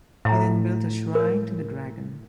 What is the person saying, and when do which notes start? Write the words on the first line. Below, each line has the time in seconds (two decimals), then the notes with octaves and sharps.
He then built a shrine to the dragon.
0.25 A2 E5 A#5
1.15 A#4 C#5